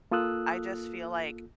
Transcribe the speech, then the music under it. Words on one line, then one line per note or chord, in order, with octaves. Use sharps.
I just feel like
A#3 F4 A4 D#6 E6 F#6